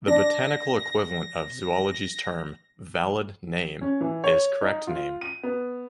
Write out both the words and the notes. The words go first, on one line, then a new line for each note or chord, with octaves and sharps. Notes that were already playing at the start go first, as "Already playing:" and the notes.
The botanical equivalent of zoology's term "valid name" is correct name.
D4 A#6
C#4
E3
C#5
D#4
F4
D#7
B3